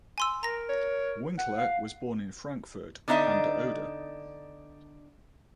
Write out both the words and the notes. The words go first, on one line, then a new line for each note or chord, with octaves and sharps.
Winkler was born in Frankfurt an der Oder.
G#5 C6 E6
A#4 A#5 A#6
C#5
F#5
F5
D3 B3 D4 D#4 D#5 E5